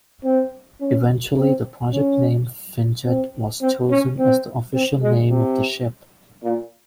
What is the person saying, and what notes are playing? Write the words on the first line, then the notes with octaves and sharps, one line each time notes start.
Eventually the project name "Finnjet" was chosen as the official name of the ship.
C4
C#4
C4
C#4
C4
C4
C#4
C4
C4
G#3
C3
A#2